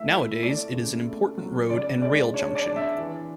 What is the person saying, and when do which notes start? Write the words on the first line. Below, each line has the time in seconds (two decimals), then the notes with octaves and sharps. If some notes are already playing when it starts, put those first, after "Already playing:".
Nowadays it is an important road and rail junction.
Already playing: A3 E4 E5
0.11 E4
0.42 A3 D5
0.74 C#3
1.06 A3
1.38 F#3
1.70 C#3 D5
2.02 G#3 D5
2.34 D4 C#5
2.55 D5
2.66 D4
2.76 E5
2.98 E3